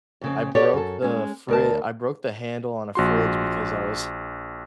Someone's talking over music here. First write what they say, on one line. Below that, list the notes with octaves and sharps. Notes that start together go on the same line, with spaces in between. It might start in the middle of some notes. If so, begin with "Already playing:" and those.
I broke the fri I broke the handle on a fridge, because I was
F2 C#3 C4
G4 A4 C#5 D5 F#5
F#2 A4
G#3 C#4
D2 A#4 A5
A#1 F#4 C6